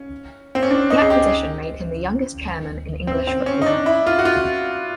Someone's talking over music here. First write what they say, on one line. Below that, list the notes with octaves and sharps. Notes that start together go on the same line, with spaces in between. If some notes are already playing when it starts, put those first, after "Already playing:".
The acquisition made him the youngest chairman in English Football.
Already playing: C#4
C4
C#4
D4
D#4
G#4
G4
C4
C4
C#4
D#4
D4
E4
F4
F#4
F4